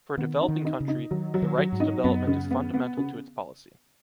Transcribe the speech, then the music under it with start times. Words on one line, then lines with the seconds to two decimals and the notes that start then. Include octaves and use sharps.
For a developing country, the right to development is fundamental to its policy.
0.18 D#3 B3
0.41 D#4
0.48 D#3
0.65 D#4
0.80 C#3
0.88 D#4
1.11 D#3 F#3
1.34 F#3
1.42 D#3
1.58 F#3
1.72 G#2
1.80 D#4
2.04 F#2 B3
2.27 C#3
2.51 B3
2.74 B3
2.97 C#3